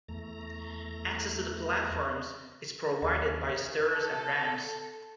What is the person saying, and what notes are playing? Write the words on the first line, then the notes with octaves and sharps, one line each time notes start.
Access to the platforms is provided by stairs and ramps.
E2 A3 A#5
D#2
A4